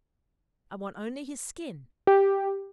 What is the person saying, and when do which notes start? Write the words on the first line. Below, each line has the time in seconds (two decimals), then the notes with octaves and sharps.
I want only his skin.
2.07 G4